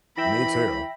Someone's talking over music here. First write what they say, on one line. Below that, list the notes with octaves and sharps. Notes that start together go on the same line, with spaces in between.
me too.
E3 E5 G5 B5 A#6